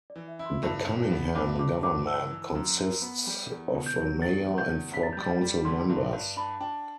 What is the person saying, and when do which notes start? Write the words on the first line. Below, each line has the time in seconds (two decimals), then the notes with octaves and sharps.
The Cunningham government consists of a mayor and four council members.
0.10 D5
0.16 E3
0.28 E5
0.39 E4
0.46 C6
0.63 G2
0.88 E3
1.11 B3
1.35 G2 D6
1.59 G2 D6
1.83 G2 D6
2.06 E3 E6
2.30 E3
2.55 F#2
2.79 F#2
3.02 B3
3.27 G3
3.50 E2
3.74 B2
3.86 G6
3.99 F#3
4.22 E2 A6
4.45 E2
4.58 G6
4.69 E2
4.93 G2 B6
5.03 A6
5.13 G3 G6
5.22 A6
5.41 G3
5.65 D3 C6
5.89 G2
6.13 G2
6.37 D4 B5
6.60 D4 G5